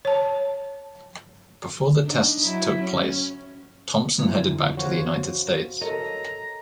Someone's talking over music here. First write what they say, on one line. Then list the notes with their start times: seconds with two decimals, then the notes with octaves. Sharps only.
Before the tests took place, "Thompson" headed back to the United States.
0.05 C#5 A5
2.02 D4 D#4
2.41 F#3 E4
2.80 C#4
4.19 F2 D3 E3 F#3 F4
4.77 F#4 C5 C#5 F5
5.82 A4 A#4 C#5 D#5 A#5